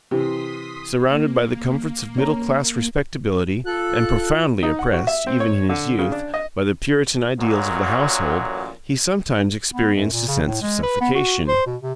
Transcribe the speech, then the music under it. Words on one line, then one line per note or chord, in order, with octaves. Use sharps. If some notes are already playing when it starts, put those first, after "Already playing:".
Surrounded by the comforts of middle-class respectability, and profoundly oppressed, even in his youth, by the Puritan ideals of the household, he sometimes experienced a sense of suffocation.
C3 E3 C6 D#6 B6
A#3
C#4 A#5
F4 A4 F#6
D#4
F#5
F#4
E5
C4
C#5
D3
C#3
D4
D#5
A1 F#2 A#2 F#3
B3
F#2
A#2
C#3
A2
G#3
B4
B3
F#4
C5
B2
C3